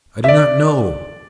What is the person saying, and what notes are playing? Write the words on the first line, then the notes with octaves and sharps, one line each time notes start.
I do not know!
E5
D5